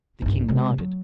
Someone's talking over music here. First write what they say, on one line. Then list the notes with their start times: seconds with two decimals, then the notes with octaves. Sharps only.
The king nodded.
0.22 B1 G2
0.48 C3 G#3
0.78 F#3